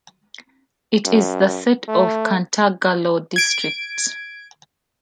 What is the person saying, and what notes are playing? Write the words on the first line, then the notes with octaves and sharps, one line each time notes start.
It is the seat of Cantagalo District.
F#2
A3
G#6 D7